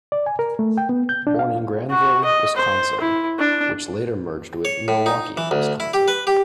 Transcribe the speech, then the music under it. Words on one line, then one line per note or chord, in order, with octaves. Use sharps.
Born in Granville, Wisconsin which later merged with Milwaukee, Wisconsin.
D5
G#5
A#4
A3
G5
B3
G6
D4
F5
F#4
D#5
C5
E4
D4
C#5
A2
D#4
E3
D2
E4
G4
B4
G4